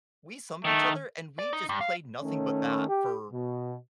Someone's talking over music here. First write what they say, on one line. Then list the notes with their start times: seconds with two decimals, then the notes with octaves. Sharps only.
we summoned each other, and we just played nothing but that, for
0.65 D#3 A3
1.39 D5
1.53 D#4
1.69 G2
1.81 F5
2.22 D#3 A3 C#4
2.88 G4
3.31 B2